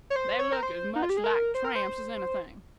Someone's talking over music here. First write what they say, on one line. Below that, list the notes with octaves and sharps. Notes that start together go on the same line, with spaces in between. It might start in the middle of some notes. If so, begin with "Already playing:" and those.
They looked as much like tramps as anything.
C#5
C5
C#5
A#4
C5
D#4
F4
G4
G#4
A#4
C5
A#4
C5